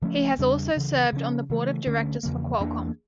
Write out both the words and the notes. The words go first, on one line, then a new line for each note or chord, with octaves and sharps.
He has also served on the board of directors for Qualcomm.
C#3 F3 A3 C#4
E2 C#3 G3 D4
D2 C#3 E3
C#3 F3 C#4
C#3 E3 A3
D2 D3 A3 C#4
E2 C#3 F3 A#3
E2 E3 A#3 D4